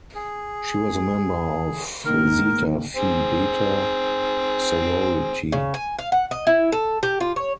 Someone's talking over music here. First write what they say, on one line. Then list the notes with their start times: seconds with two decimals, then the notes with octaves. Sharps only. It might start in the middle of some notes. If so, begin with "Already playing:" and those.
She was a member of Zeta Phi Beta sorority.
0.15 G#4
2.05 G#2 D#3 A#3 A#4
2.96 C4 G#4
5.52 C#3
5.74 G#5
5.99 F5
6.12 F#5
6.31 D#5
6.47 E4
6.72 A4
7.03 G4
7.20 F4
7.36 C#5